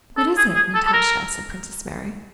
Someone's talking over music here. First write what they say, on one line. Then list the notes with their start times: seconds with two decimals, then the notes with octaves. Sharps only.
"What is it, Natasha?" said Princess Mary.
0.18 A4
0.37 G#4
0.55 G#4
0.74 A4
0.86 A4
0.93 A#4